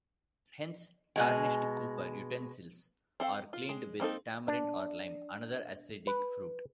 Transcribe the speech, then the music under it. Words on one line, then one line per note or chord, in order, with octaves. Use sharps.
Hence, tarnished copper utensils are cleaned with tamarind or lime, another acidic fruit.
B2 G#3 G#5
C4 A4 F5
F4
G#3
A#3 C4 D#4 A4
D4
B4